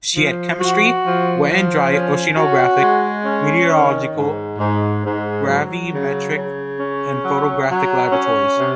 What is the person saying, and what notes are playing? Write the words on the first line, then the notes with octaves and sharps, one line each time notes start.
She had chemistry, wet and dry oceanographic, meteorological, gravimetric, and photographic laboratories.
F3
F#4
F3
F3
C#4
F#4
G#3
C#4
D#3
G#2
G#2
G#2
F#3
C#3
C#3
C#4
F#3
F#3
C#4
C3